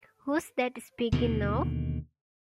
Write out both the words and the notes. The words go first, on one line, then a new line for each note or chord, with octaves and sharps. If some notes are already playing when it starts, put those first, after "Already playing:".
Who's that speaking now?
D#2 B2 D3 D#3